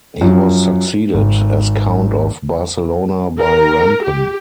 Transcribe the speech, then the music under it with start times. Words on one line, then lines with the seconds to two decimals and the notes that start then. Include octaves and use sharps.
He was succeeded as Count of Barcelona by Rampon.
0.21 F#2 F3
1.14 G#1
3.40 A#4
4.05 G4